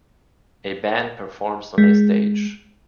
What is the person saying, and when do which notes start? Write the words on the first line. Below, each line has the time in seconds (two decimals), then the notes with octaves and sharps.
A band performs on a stage.
1.78 G#3